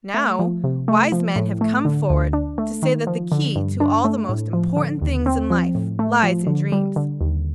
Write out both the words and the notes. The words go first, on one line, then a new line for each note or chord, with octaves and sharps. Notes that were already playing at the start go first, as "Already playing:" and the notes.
Now, wise men have come forward to say that the key to all the most important things in life lies in dreams.
A3
F3
C3
A3
F3
A2
A3
D3
D2
D4
A3
D#3
F3
D3
G2
D4
A3
A2
F3
D3
D#2
C4
F3
A2
A3
F3
D3
G3
D3
D#2